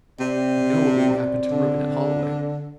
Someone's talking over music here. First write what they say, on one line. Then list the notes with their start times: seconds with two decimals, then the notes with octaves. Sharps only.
You know what will happen to Reuben at Holloway.
0.20 C3 C4 D5
1.51 D3